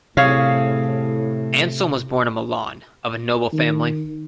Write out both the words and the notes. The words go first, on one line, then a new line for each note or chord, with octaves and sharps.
Anselm was born in Milan of a noble family.
A2 C3 G#4 C#5 F5
D#3